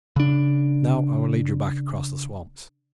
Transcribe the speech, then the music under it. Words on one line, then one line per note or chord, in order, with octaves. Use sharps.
Now I will lead you back across the swamps.
C#3 D4